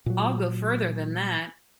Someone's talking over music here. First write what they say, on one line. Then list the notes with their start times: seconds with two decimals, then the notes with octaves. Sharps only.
I'll go further than that.
0.06 A#2 F#3